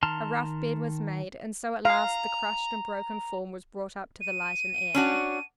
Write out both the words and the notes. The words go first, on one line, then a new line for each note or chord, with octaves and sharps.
A rough bed was made, and so at last the crushed and broken form was brought up to the light and air.
D#3 A5 A#5 C6 F6
F5 A#5
D#7
C#4 D4 F#4